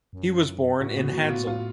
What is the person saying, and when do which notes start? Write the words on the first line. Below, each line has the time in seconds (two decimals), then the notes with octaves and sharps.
He was born in Hadsel.
0.13 F#2
0.80 A2 F#4
0.97 B3
1.04 G#2
1.14 A2 F#4
1.30 F4
1.47 F4